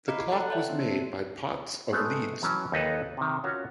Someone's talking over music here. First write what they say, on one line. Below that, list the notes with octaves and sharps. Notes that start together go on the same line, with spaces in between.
The clock was made by Potts of Leeds.
E4 D#5 F5 A#5 D6
A4 F#5 G5 A#5
C#5 D5 E5
C4 D4
G#3 A3 B3 A4
E3 F#3 C#4 A5
D#2 D#4 A4 B4 C#5
C3 D#3
C#4 F4 F#4 A#4 C#5